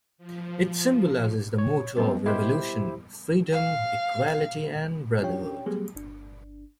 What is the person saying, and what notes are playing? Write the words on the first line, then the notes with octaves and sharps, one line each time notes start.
It symbolizes the motto of the Revolution: "Freedom", "Equality" and "Brotherhood".
F3
C#5
F#2 G3 B3 C4 B4
E4 G4 A#4 C5 D#5
F5
C#4 D4 F4 G4 C#5 G5
F#3 G3 A3 B3 G4 G#4
G1 D4